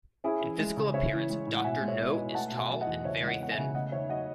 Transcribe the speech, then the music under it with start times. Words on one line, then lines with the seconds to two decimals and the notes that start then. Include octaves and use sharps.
In physical appearance Doctor No is tall and very thin.
0.24 C#4 E4 G#4
0.41 E3
0.59 G#3
0.77 C#3
0.94 C#4 C#5 E5
1.12 E3
1.30 G#3
1.46 A2
1.57 F#5
1.64 B2 E5 G#5
1.81 G#3
1.88 C#5 E5
2.00 B3
2.11 B4 D#5
2.17 B2
2.34 A3 F#5 A5
2.51 B2
2.57 E5 G#5
2.69 F#3
2.81 D#5 F#5
2.86 E2
3.04 C#3 C#5 E5
3.22 G#3
3.27 D#5 F#5
3.40 B3 F#5
3.51 E5 G#5
3.58 C#3
3.75 A3 D#5 F#5
3.92 D#3 C#5 E5
4.09 F#3 D#5 F#5